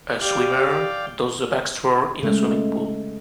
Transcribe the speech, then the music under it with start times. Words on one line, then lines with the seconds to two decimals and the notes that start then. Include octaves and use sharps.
A swimmer does the backstroke in a swimming pool.
0.22 G4 D5 F5 G5
2.23 C#3 G#3 A3